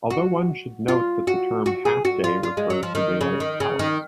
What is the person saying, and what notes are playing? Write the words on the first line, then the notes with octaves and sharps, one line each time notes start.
Although, one should note that the term "half day" refers to daylight hours.
F#4
F4
F#4
F#4
G#4
F#4
F4
F4
G#3
F#3
F3
D#3
C#3
D#3
C#3
D#3